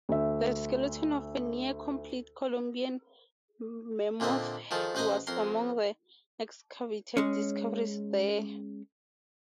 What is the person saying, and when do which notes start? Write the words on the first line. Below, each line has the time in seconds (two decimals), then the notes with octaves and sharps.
The skeleton of a near-complete Columbian mammoth was among the excavated discoveries there.
0.09 D2 E5
4.20 A#2 D3 C4 D#5 E5
4.71 D#3 F3 G#4 A4
4.95 A1 B4 C5 D#5 G#5 A#5
5.27 F2 A#4 C6
7.17 G#3 C#4